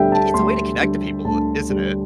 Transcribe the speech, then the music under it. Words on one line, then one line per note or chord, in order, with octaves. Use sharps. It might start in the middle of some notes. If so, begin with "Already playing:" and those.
i it's a way to connect to people, isn't it?
Already playing: D2 D3 G3 E5 G5
A5
D2 C6
D3 G3
D2 A5
D3 G3